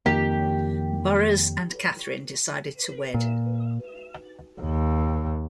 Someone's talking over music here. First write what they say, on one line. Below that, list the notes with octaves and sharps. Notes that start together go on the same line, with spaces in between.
Burroughs and Kathryn decided to wed.
F2 D#3 A#3 G4
A#2
D#2